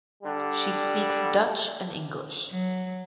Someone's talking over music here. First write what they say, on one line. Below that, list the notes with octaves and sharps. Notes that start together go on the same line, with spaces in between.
She speaks Dutch and English.
D3 G3
F#3